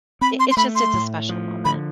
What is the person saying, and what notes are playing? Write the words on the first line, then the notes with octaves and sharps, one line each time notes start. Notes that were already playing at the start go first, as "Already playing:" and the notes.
it it's just it's a special moment.
C4 B5
C6
C6
A3 B5
C6
A2
F3
D3 B5